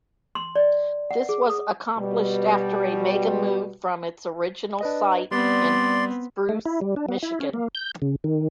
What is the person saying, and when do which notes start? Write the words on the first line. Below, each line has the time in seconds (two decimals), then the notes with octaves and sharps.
This was accomplished after a "mega-move" from its original site in Spruce, Michigan.
0.35 C6
0.56 D5
1.11 F#5
1.29 G#4
1.50 D#6
1.98 B2 G3
4.81 D4 B4 D#5
5.31 G3 B3 C4 D5 C6
6.49 A3
6.66 E4
6.81 G3
6.96 D4
7.09 B3
7.23 E4
7.40 C#4
7.54 A#3
7.75 G6
8.02 C#3
8.24 D#3